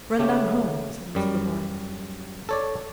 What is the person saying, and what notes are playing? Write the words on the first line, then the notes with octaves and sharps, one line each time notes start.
"Run down home," said he to the boy.
C#3 A3 G4
F#2 G3
A4 C#5 D5